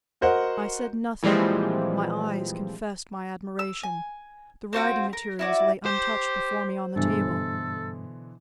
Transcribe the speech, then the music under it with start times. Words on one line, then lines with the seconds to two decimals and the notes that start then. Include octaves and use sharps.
I said nothing; my eyes confessed my admiration; the writing materials lay untouched before me on the table.
0.21 F#4 A#4 C5 D#5 F#5
1.23 A#2 E3 F3 G3 G#3 C4
3.59 E6
3.83 G#5
4.73 C4 F4 F#4 G5
5.13 A#4
5.39 E4 F#4 D5
5.86 G4 C5 E7
6.96 G2 B2 D3 E3 A4